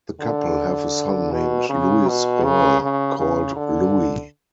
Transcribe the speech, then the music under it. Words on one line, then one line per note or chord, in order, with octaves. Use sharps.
The couple have a son named Louis Earl, called Louie.
D3
B2
C#3
B2
C#3
C#3
C#3
D3